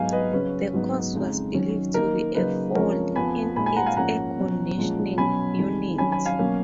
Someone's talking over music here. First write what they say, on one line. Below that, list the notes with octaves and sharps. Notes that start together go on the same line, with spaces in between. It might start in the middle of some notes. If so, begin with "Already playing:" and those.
The cause was believed to be a fault in its air conditioning unit.
Already playing: G#2 F#3 B3 D#4 F5 G#5
B4 D#5
C#3 F#3 C#4 B4
G#2 F#3 B3 D#4
F2 C#3 G#3 D#4
D#3 F#3 C#4
D#3 A#3 D#4 A#4
C#3 F#3 A#3 D#4 B4
F2 F3 G#3 C#4 A#4 C#5
F2 F3 B3 G#5 B5
A#2 G#3 D#4 G#5 B5
G#5 B5
F#5 A#5
F5 G#5
G#2 F3 A#3 C#4 F#5 A#5
B2 F#3 C#4
A#2 F3 G#3 C#4
B2 F#3 C#4 G#5 B5
F2 D#3 G#3
D#3 F#3 C#4 G#5 B5
G#5 B5
F5 G#5
B2 F#3 A#3 C#4